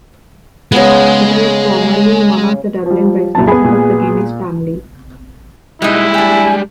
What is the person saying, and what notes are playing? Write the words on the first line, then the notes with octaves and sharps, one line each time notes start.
It was formerly one of the Dublin residences of the Guinness family.
C#3 G#3 B3
F3 G3
C2 F#2 A#2 A5
B3 G#4 B5
A#2
B2 G3 G#3 D#4 E4
D4 G4 G#5